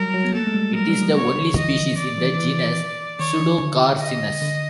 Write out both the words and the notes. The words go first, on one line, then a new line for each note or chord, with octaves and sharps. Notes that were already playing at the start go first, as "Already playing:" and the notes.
It is the only species in the genus Pseudocarcinus.
Already playing: F#3 G3 A#4
F#3
B3
A#3 A4
A3
G#3
G3
F#3 A#4
G3
F3
C#5
D3
E3 D#5
F3
D#3 D5
E3
E3
D#3 C#5
E3
D3
D#5
D3